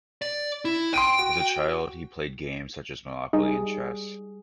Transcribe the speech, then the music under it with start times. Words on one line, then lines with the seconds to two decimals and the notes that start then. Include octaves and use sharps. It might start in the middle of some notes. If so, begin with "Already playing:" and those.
As a child he played games such as "Monopoly" and chess.
0.22 D5
0.65 E4
0.94 G5 C6 D7 D#7
1.19 F#4
3.33 G3 D#4 G#4